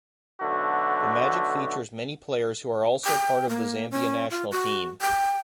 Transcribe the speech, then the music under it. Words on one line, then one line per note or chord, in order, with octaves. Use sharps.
The Magic features many players who are also part of the Zambia national team.
B1 D3 A3 F#4
G5
A#3
C#4
F4
F#4
G5